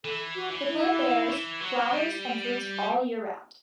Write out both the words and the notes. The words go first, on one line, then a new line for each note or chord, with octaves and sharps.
The plant bears flowers and fruits all year round.
E3 A4
F#4
E3
E4
D#3
E3
F#3
G3